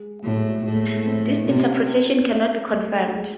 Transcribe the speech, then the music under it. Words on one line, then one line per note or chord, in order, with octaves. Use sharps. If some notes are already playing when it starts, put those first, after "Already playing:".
This interpretation cannot be confirmed.
Already playing: G#3
A2 F#3
G#3
F#3
A2 G#3
A3
G#3
A3
C4
C3 C#4
C#4
C4
A3
F#3
G#3